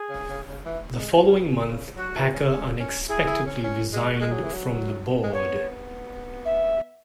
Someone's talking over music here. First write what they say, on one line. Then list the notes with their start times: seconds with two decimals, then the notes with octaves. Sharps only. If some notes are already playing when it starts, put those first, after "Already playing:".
The following month Packer unexpectedly resigned from the board.
Already playing: G#4
0.09 C#3
0.29 C#3
0.47 C#3
0.65 E3
0.99 G#3
1.13 B3
1.26 C#4
1.40 B2
1.68 C#3
1.96 F#3 F#4
2.16 E3
2.34 C#4
2.53 C#4
2.80 C#4
3.08 E4 G#4
3.27 E4
3.46 C#4
3.64 C#4
3.93 G#3
4.13 F#4
4.20 G#3 G#4 A#4
4.32 F#3
4.44 E3
4.54 F#3
5.24 G#3
5.33 B3 C#5
6.45 E5